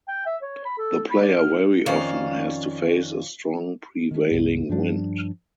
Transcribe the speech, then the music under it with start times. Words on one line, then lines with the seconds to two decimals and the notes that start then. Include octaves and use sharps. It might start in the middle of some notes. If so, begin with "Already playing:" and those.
The player very often has to face a strong prevailing wind.
0.08 G5
0.26 E5
0.42 C#5
0.65 B5
0.78 A4
1.10 B5
1.21 D5
1.38 F6
1.86 F2 D#3 C#4 D5 F5
4.11 D#3 A3
4.31 C#2 G2
4.69 G2 F3 G3 D4